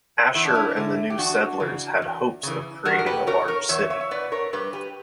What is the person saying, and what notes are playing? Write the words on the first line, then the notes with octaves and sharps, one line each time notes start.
Asher and the new settlers had hopes of creating a large city.
E2 E4
D4
C#4 E4
D3
G4
E2 D4 F#4
C#3 E3
E2
C#3 E3
E2 F#4 A#4
A#4
G4 B4
B2 A#4 C#5
A#4 C#5
E2 C#5 E5
C#5 E5
E5
B2 B4 D5
A#4 C#5
G2 G4 B4
G4 B4